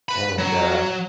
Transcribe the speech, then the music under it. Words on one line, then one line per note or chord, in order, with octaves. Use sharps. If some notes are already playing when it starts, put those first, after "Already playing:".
and, uh,
B4 B5
F#3